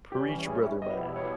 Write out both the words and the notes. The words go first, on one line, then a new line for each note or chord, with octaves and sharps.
preach, brother man.
E3 G3 C#4 G4
G#4
E4
B2 G3 B3 E4 D#5
C#5